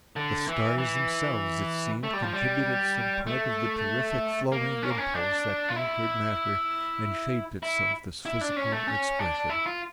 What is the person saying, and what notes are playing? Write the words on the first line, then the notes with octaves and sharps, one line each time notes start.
The stars themselves, it seemed, contributed some part of the terrific, flowing impulse that conquered matter and shaped itself this physical expression.
D3
E3
E3
A3
G3
F3
G3
A3
A#3
C#4
A#3
C#4
D4
F4
E4
E4
E4
D4
C#4
A3
C#4
D4
E4
F4